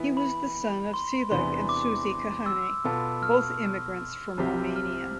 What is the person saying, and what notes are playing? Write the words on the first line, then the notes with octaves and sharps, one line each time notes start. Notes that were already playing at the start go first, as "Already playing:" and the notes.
He was the son of Selig and Susy Kahane, both immigrants from Romania.
Already playing: E3 B3 E4
B5
C6
E2 C3 E3 B3 D4 C6
D6
E6
B2 B3 F4 A4
F6
C2 C3 F3 C4 G4
F6